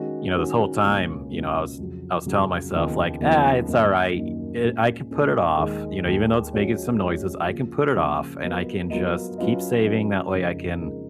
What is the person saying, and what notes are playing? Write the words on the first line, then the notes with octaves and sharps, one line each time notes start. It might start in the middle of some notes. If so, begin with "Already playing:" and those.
you know, this whole time, you know, I was I was telling myself like, "Ah, it's all right e I can put it off, you know, even though it's making some noises, I can put it off, and I can just keep saving, that way I can,
Already playing: D#3 G#3 C#4 F#4
D#3 G#3 C#4 F#4
C#2 B2 A#3 C#4 F4
C#2 B2 A#3 C#4 F4
F2 C#3 F#3
F2 C#3 F#3
D#2 C#3 F3 B3 D#4
D#2 C#3 F3 B3 D#4
F#2 D#3 A#3 D#4
F#2 D#3 A#3 D#4
A#2 G#3 C#4
A#2 G#3 C#4
D#2 D#3 G#3
D#2 D#3 G#3
F3 G#3 C#4 F#4 C#5
F3 G#3 C#4 F#4 C#5
C#3 F3 A#3 F4
C#3 F3 A#3 F4
F#3 B3 F4 A#4 D#5
F#3 B3 F4 A#4 D#5
F#3 C#4 F4 B4 D#5
F#3 C#4 F4 B4 D#5
F2 C#3 G#3 D#4 A#4
F2 C#3 G#3 D#4 A#4